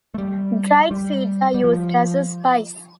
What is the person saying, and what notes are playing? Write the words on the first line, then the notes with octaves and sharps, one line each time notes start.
Dried seeds are used as a spice.
A3
G3
G3
G3
F3